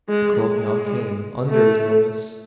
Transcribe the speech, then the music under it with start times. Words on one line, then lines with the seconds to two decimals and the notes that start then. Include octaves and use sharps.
The cloak now came under his notice.
0.09 G#3
0.37 G#3
1.50 A3